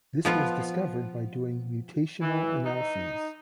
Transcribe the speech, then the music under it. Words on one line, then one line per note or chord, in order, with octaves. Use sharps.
This was discovered by doing mutational analyses.
F3 B3 F4
E3
D#4